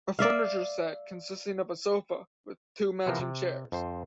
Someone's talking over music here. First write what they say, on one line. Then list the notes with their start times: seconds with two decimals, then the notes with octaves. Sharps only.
A furniture set consisting of a sofa with two matching chairs.
0.19 D5 E5 F5
3.06 C3 E3 F3 B3 A#4 C5
3.21 C3
3.72 F2 C5